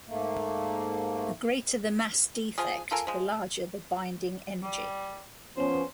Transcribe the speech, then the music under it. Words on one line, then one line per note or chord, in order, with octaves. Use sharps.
The greater the mass defect, the larger the binding energy.
G#2 A3 A#3
F3 F4 G#4
F4 A4 A#4 G#5
F3 G#3
G3
F3 B3 C#4 C5